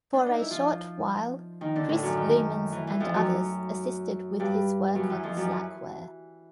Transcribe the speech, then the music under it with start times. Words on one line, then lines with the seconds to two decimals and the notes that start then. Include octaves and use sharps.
For a short while, Chris Lumens and others assisted with his work on Slackware.
0.13 D4
0.26 D#4
0.38 E4
0.50 F3 F4
1.61 D#3 D#4
1.76 D3 D4
1.89 A2 A3
2.03 F#2 F#3
2.17 D#3
2.72 E3
2.87 E3
3.00 F2 F3
3.15 F#2 F#3
4.40 G2 G3
4.95 F#2 F#3
5.10 E3
5.23 F2 F3
5.37 F#2 F#3
5.51 E3